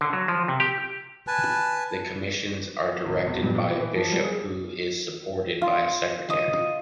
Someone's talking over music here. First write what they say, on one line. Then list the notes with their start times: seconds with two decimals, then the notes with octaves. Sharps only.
The commissions are directed by a bishop, who is supported by a secretary.
0.01 D3
0.13 F#3
0.28 F3
0.48 C3
0.60 G4
1.27 B4 G#5 A5
3.06 G#1
3.27 E1
3.43 G2
3.55 A#2
3.70 E3
3.95 F3
4.12 G3
4.24 G#4
5.62 F4
6.30 D#5